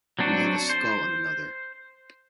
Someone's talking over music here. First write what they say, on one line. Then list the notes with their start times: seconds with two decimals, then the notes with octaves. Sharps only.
We had a skull on another.
0.19 F#3 C4 D4 F#4
0.69 C5